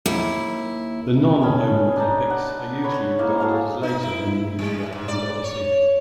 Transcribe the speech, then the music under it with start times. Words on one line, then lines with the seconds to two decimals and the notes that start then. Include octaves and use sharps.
The non-Homeric epics are usually regarded as later than the "Iliad" and "Odyssey".
0.06 D#2 E4
1.42 C#4 D#5 A5 B5
1.96 D4 D#4
2.30 F#5
2.83 B4 C#5 B5
3.19 A#3 D#4 E4
3.40 F#4 G#4 A4 F5
3.83 D#4
4.03 E4
4.59 G3
4.93 G#2
5.08 D5
5.44 C#5